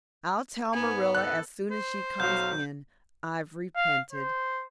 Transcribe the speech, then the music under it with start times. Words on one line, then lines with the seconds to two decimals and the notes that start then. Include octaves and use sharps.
"I'll tell Marilla as soon as she comes in I've repented."
0.73 G#2 B3 G#5
1.15 A4 F#6
1.71 C5
2.20 B1 F#3 F5 G6
3.76 F5
4.13 C5